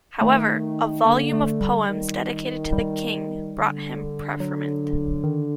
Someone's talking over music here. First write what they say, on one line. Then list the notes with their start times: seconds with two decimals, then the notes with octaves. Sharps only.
However, a volume of poems dedicated to the king brought him preferment.
0.21 D#3 A3
1.05 D3 A#3
1.33 A3
1.61 G3
1.88 D#3
2.72 G3
3.57 D3
4.40 F#3
5.24 D#3